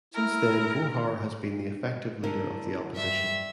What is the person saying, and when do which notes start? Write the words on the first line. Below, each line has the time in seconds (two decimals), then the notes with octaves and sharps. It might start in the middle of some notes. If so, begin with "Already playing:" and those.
Since then Vohor has been the effective leader of the opposition.
0.14 E4 A#4
2.24 D3 E4 A#4
2.96 G2 E5